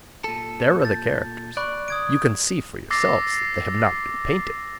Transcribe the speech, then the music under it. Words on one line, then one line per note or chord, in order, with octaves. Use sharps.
There are the characters: you can see for yourselves that they have not been painted.
A#2 A4
G6 A6
D5 B5 C#6 F#6
D#6 G#6 D7
D6 E6 A6 A#6 C7